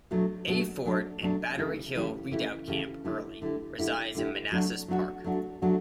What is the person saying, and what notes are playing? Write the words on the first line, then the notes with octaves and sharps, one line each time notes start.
"A" Fort and Battery Hill Redoubt-Camp Early resides in Manassas Park.
B2 F#3 A3 D4
B2 F#3 A3 D4
B2 F#3 A3 D4
B2 F#3 A3 D4
C#3 E3 A3 E4 G4
C#3 E3 A3 E4 G4
C#3 E3 A3 E4 G4
C#3 E3 A3 E4 G4
D3 A3 E4 G4
D3 A3 E4 G4
D3 A3 E4 G4
D3 A3 E4 G4
F#3 A3 D4 F#4
F#3 A3 D4 F#4
F#3 A3 D4 F#4
F#3 A3 D4 F#4